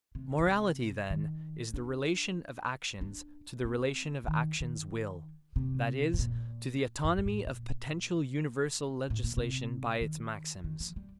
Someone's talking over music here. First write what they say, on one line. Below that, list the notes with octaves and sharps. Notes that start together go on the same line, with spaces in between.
Morality, then, is the relation of actions to the relation of actions will, that is, to the autonomy of potential universal legislation by its maxims.
C3
D3
C3
D#3
D4
D4
C4
F3
D#3
D#3
C3
A2
A#2
G2
G2
A2
A#2
A2
A#2
C3
D#3
D#3
F3
G3